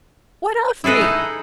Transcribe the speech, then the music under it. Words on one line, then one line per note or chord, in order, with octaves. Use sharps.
What of me?
E4 G#4 A4 B4 D#5
D#4